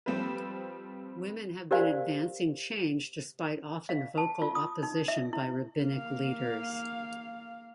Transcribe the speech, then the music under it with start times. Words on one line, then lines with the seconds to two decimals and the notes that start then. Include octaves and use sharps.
Women have been advancing change despite often vocal opposition by rabbinic leaders.
0.06 F3 G3 C4 G4 A4 B4
1.71 G4 A#4 C5 D5 F5 G#5
3.89 F5
4.18 A5
4.42 F4
4.55 D#6
4.83 D#4
5.08 E5
5.33 E4
5.79 A#3 F5